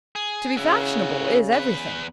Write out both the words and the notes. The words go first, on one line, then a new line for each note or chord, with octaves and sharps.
To be fashionable is everything.
G#4
C#3 E4 F#4
E2 B4